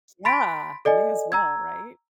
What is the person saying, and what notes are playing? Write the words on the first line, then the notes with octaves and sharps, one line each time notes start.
Yeah, may as well, right?
B5 C6 A6 B6 D7
A4 D5 D#5 G#5
A#5 E6 G#6